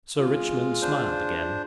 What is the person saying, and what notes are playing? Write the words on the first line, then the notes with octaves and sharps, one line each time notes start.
Sir Richmond smiled again.
G#3 F4
D4 C5